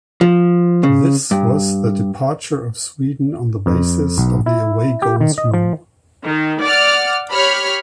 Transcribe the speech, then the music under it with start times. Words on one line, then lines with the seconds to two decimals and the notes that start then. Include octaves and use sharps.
This was the departure of Sweden on the basis of the away goals rule.
0.21 F3
0.83 C#3
1.31 G2
3.66 F2
4.18 B1
4.46 E4
5.02 G4
5.21 D#3
5.38 D#5
5.54 F3
6.25 D#3
6.62 D5 F#5 F6
7.31 G4 C#5 B5 F6